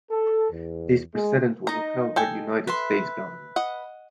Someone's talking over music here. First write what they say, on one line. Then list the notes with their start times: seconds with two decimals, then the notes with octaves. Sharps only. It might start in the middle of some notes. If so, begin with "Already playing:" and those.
This precedent was upheld by the United States government.
0.11 A4
0.52 E2
1.15 G#3
1.67 D#4 D#5 A#5
2.16 A4 G5 G#5
2.67 B4 E5 C6
3.56 D#5 F#5